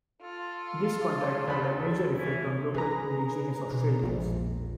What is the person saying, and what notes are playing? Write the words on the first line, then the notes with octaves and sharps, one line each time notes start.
This contact had a major effect on local indigenous Australians.
F4 A4
D2 D3 B5
E3 C#4 E4
C#4 G#4 B4 A#5
B2
A#1 E2 G#3